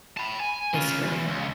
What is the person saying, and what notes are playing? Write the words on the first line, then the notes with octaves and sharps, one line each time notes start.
It's her fault.
A5 B5
G#5
C#3 F4
E2
C#2